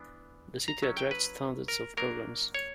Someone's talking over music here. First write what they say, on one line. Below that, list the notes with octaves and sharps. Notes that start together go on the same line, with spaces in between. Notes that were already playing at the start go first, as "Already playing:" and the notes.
The city attracts thousands of pilgrims.
Already playing: E3 B3 D4
A#5
F#3 C#4 E4
G5
B4
A#4
F#3 A#3 D4 A#4
C#5